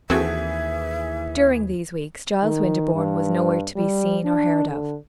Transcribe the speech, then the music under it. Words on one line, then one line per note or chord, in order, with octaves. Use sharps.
During these weeks Giles Winterborne was nowhere to be seen or heard of.
D#2 E3 C4 F#4 G#4 A4 E5
D#3
G2
G3
D4
D3